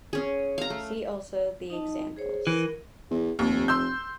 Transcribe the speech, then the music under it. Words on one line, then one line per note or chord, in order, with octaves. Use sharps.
See also the examples.
C#4 G#4
F5 A#5
A3
D#4 D#5 A5
G#4 C5 C#5
E3 A#4
E2
F1 D#2
C6 E6 G6